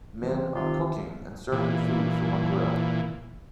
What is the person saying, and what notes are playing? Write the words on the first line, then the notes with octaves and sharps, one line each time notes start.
Men are cooking and serving food from a grill.
E3 G3 C4
C3 D#3 F4
A#2 E3